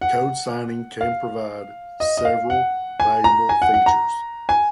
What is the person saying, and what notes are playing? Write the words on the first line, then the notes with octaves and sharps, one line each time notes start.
Code signing can provide several valuable features.
F#5
F5
D#5
D#5
F5
F#5
G#5
A#5
G#5
F#5
F#5
A#5
G#5